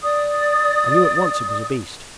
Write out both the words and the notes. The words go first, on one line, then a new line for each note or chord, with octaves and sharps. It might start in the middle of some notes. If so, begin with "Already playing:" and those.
I knew at once it was a beast.
D5 D#6